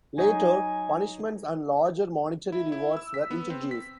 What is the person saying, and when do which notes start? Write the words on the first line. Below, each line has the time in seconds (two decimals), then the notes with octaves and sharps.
Later, punishments and larger monetary rewards were introduced.
0.18 F#3 D#4 G#5
2.52 E4
2.72 E4
2.97 E6
3.14 B6
3.31 B3
3.50 C4
3.71 B6